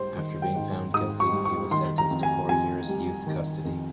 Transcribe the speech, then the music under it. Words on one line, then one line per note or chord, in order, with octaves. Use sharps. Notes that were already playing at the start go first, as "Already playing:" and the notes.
After being found guilty, he was sentenced to four years' youth custody.
Already playing: G#2 G3 C5
D#3
G5
G#2
G#2 D#6
C#6
G3
C#6
D#3 C6
A#5
F2
G#5
F2 G#5
G3
D#3
F2